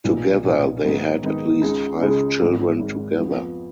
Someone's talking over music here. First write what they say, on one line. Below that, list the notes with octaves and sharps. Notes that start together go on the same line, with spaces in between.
Together they had at least five children together.
B1 A#2 F3 B3 D#4
B1 A#2 F3 B3 D#4
G#2 D#3 F#3 B3 D#4
G#2 D#3 F#3 B3 D#4
C#2 C#3 G#3 D#4
C#2 C#3 G#3 D#4
G#1 G#2 F#3
G#1 G#2 F#3
F2 F3 B3